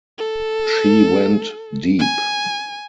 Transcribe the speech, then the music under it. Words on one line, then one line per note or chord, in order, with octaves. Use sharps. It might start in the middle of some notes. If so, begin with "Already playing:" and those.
She went deep.
A4
G#5